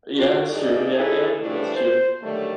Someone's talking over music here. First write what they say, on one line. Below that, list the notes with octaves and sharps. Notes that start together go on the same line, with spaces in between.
Yeah, that's true, yeah, yeah, that's true.
D4 F4 F#4
G2 D#4 G#4 D5
C#4 D#4 E4 G#4 A4
A2 E3 F3 G3 A3 D4
C5
D3 D#3 F#3 G3 A3